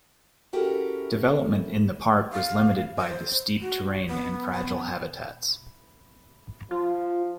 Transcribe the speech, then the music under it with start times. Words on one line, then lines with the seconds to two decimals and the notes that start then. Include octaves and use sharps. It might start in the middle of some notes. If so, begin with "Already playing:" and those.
Development in the park was limited by the steep terrain and fragile habitats.
0.53 C#4 E4 F#4 G4 A4 A#4
2.32 F5
2.98 C5
3.61 F#4
4.07 B3
4.53 B3
6.71 F3 F4